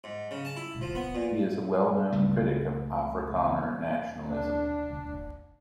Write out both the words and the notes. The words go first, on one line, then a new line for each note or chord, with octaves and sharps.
He is a well-known critic of Afrikaner nationalism.
G#2
C#3
A5
E4
F3
B3
A#2
C#2 C#3 A3
D4